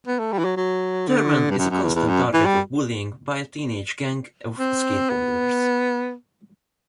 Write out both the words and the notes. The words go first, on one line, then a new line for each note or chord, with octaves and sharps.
Thurman is a constant target of bullying by a teenage gang of skateboarders.
B3
A3
G3
E3
F#3
F#3
D3
G2
F#2
F#2
E2
E2
F#2
E3
G3
C4
B3